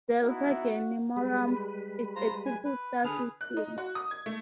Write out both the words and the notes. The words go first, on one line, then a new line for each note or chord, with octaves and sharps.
Delta Geminorum is a triple star system.
B3 D#4 E4 F#4 F#5
G3 G#3 B4
F4 C5 A#5
G#5
B4
D3 G#4 A4 B4 F6
F#6
D#4
F#4
D#6
G#6
A3